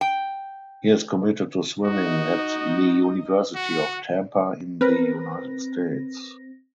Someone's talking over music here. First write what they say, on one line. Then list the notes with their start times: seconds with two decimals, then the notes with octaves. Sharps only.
He has committed to swimming at the University of Tampa in the United States.
0.01 G5
1.85 D#4 F#4 D#5
3.55 F#4 F#5
4.81 C4 A#4 B4 A#6